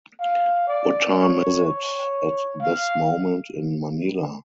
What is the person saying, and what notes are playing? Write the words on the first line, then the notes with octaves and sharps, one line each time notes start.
What time is it at this moment in Manila?
F5
D5
C#5
C#5
F5